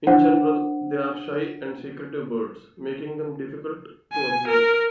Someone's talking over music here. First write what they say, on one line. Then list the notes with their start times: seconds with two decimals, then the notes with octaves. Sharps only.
In general they are shy and secretive birds, making them difficult to observe.
0.07 D4 C5 F#5
4.13 G#5
4.48 A#4